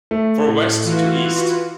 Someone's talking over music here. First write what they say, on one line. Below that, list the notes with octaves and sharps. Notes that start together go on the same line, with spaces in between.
For west to east.
A3
A2
E3 F4 F#4